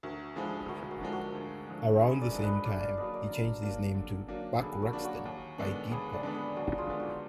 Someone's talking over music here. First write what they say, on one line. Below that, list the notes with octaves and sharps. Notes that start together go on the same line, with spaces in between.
Around the same time, he changed his name to "Buck Ruxton" by deed poll.
D2 F#4 A#4
D3 F3 G#3 G#4 B4
D2 F#4 A#4
F#4 A#4
D3 F3 G#3
F#4 A#4
D2
D3 F3 G#3
D2 G#4 B4
A#4 D5
D3 F3 G#3
B4 D#5
D3 D5 F5
D5 F5
F#3 A#3 D4 B4 D#5
A#4 D5
D3
F#3 A#3 D4
D3
F#3 A#3 D4
D3 G#4 B4
B4
F#4 A#4
F#3 A#3 D4
F#4 A#4
D#2
D3 G#3 B3 D4
D#2 G#4 B4
A#4 B4 D5
D3 G#3 B3 D4
G#4 B4
D#2 F#4 A#4
F4 G#4
D3 G#3 B3 D4
D#4 F#4